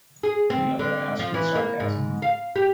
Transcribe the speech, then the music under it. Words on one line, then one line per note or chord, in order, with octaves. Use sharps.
The other asked with sarcasm.
G#4
C4
D3
F3
E3
A#3
G#2
F5
G4